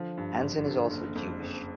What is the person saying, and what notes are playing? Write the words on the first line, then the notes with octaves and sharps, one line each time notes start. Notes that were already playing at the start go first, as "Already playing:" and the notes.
Hansen is also Jewish.
Already playing: D3 F3
G2
G#1
D3
F#1
F2
F#1